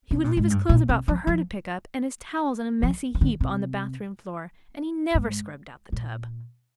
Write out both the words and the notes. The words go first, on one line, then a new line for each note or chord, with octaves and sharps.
He would leave his clothes about for her to pick up, and his towels in a messy heap on the bathroom floor, and he never scrubbed out the tub.
C3
A#2
G#2
G2
A#2
C3
F3
F3
F3
D#3
D3
C3
G#2
A#2